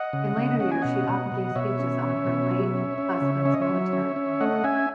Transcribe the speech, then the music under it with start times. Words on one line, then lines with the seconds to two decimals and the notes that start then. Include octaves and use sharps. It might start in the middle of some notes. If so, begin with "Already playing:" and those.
In her later years she often gave speeches on her late husband's military career.
Already playing: D#5 F#5
0.13 C#3
0.37 C#3
0.60 C#4 F#5
0.72 G#5
0.82 B2 D#5 F#5
1.09 B2
1.32 B2
1.56 B2 C#5 E5
1.79 C#4
2.03 C#4
2.27 B2
2.51 F#3
2.74 C#4
2.98 C#4
3.22 C#3
3.45 C#4 E5
3.53 D#5
3.62 C#5 E5
3.69 F#3
3.93 C#4
4.16 C#4
4.41 A3 D#5 F#5
4.64 C#4 E5 G#5